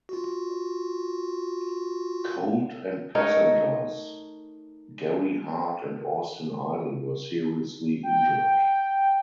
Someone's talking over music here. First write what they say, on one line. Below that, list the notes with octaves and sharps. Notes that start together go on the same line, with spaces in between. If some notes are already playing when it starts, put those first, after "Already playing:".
Colt and passengers Gary Hart and Austin Idol were seriously injured.
F4 F#4
A3 D#4 A#4 C#5
G5